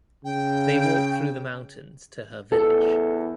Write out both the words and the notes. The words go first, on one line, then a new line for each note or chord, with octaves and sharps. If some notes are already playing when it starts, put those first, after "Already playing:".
They walk through the mountains to her village.
C#3 G5
E2 A4